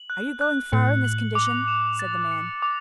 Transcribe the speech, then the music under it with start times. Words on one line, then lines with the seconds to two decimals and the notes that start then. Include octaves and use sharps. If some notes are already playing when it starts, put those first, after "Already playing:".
"Are you going far in this condition?" said the man.
Already playing: F#7
0.10 F#6
0.41 F#6
0.72 A2 C#7
1.04 F#7
1.35 D6
1.68 E7
1.99 A6
2.31 C#7
2.62 D6